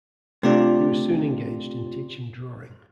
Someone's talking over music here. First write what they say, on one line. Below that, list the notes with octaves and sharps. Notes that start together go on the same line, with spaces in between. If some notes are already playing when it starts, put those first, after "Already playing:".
He was soon engaged in teaching drawing.
C3 A3 D4 F4 G4